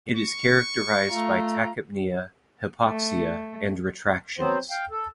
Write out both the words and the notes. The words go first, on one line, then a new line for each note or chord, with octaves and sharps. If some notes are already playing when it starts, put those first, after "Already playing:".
It is characterized by tachypnea, hypoxia, and retractions.
C#6
A3 F4 A#5
A3
F#3 B3 C4 C5
F5 G5
A4